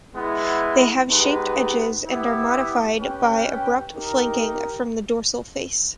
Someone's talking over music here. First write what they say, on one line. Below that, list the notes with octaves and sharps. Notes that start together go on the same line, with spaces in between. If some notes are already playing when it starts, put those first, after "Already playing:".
They have shaped edges and are modified by abrupt flaking from the dorsal face.
G#3 B3 E4
G#3 B3 D#4 G4 B4
B3 E4 G4
C#4 G4 B4 G5
D#4 G4 A#4